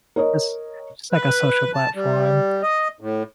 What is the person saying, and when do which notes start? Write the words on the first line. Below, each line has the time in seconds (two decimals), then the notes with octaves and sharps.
just just, like a social platform,
0.16 A#4 C#5 D#5
1.12 B4
1.74 A5
1.95 G3
2.62 D#5
3.00 A2